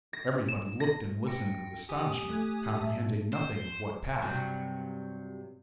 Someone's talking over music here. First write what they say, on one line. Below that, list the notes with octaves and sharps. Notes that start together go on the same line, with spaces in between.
Everybody looked and listened with astonishment, comprehending nothing of what passed.
A#6
E7
A#6
G5 A#6 C#7
G4 G#5 D#6
A3 F#6 G#6
A2 E5 A5
C5
G2 C3 F#3